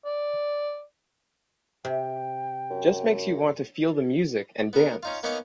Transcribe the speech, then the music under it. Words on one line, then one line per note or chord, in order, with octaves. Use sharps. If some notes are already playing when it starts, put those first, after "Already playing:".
Just makes you want to feel the music and dance.
D5
C3 G5
F#2
B3 A#4
C#4 D#4 F4
A#3 B3 C#4 D#4 D#5 F5